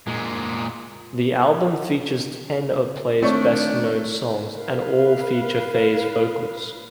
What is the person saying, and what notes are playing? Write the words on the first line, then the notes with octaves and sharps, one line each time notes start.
The album features ten of Play's best-known songs, and all feature Faye's vocals.
A#2 G#3
D#3 A3 C4 D4 C#5 D5 C#6
A#4 B4 F5